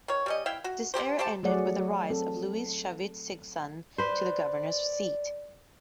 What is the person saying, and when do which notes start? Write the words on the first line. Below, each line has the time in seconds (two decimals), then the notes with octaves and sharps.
This era ended with the rise of Luis "Chavit" Singson to the governor's seat.
0.08 D#3 C#5
0.26 G3 C#4 D#5
0.46 E4 E5 F5 G5
0.64 F#4
0.94 C3 C4 G4 C5
1.19 G4 C5 G5 A5
1.43 F#3 A3 G#4 C#5 D5 F#5
2.10 C4 A4
3.98 B4 C5 D5